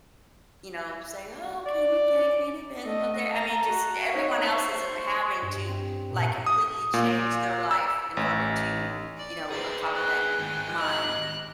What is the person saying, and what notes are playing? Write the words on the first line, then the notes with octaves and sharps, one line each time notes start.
you know, say, "Oh, can you take me to physical ther" I mean, just everyone else isn't having to, like, completely change their life in order to, you know, accommodate m mine.
D5
A3 D#5
A5 A#5
F#4
D#4 C#5
C5 C#6
G2
C4
A#2
D#6
A#2
E6
A1
D5
G#4 B4 C5 D5
G5 G#5 F#6
G#2 D#3
G4 D#5 F#6